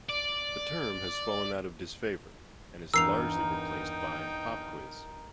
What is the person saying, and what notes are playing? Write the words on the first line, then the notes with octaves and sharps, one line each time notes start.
The term has fallen out of disfavor and is largely replaced by "pop quiz".
D5
E2 G2 D#4 A#4 G5 E6 C7 F7